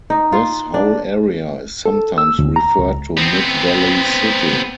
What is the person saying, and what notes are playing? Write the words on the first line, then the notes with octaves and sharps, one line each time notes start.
This whole area is sometimes referred to Mid Valley City.
D#4
F4
D4
A4
E6
D2
A#5
C#2
B3 C4